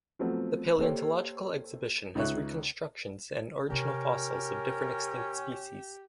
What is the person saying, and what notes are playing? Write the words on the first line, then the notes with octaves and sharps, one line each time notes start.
The paleontological exhibition has reconstructions and original fossils of different extinct species.
F3 F#3 A3 B3 C4
A#3 G4 A4 C5 C#5 G5
C#2 D#4 C#5 E5 C#6 F#6
C3 C#4 D#4 G4 A#4